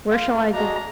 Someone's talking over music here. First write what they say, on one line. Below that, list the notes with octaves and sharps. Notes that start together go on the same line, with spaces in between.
Where shall I go?
F4 F5
D4 F#4 G#4 D#5 A#5